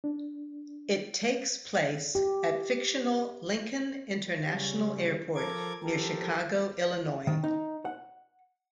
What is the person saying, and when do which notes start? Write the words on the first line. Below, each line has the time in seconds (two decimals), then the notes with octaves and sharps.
It takes place at fictional Lincoln International Airport near Chicago, Illinois.
0.04 D4
2.15 G4
4.47 C#3 G3 C#4
5.36 F3 A4 A#4 D6 G#6
5.83 F3 G4 A4 A#4
7.27 D#3
7.44 D#4
7.85 F#5